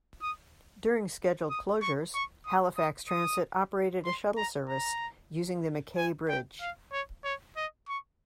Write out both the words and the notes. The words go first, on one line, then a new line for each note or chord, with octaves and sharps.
During scheduled closures, Halifax Transit operated a shuttle service using the MacKay Bridge.
D#6
D#6
C#6
C#6
D#6
D#6
D#6
C6
A#5
A#5
G#5
G5
F5
C#5
C#5
D#5
C#6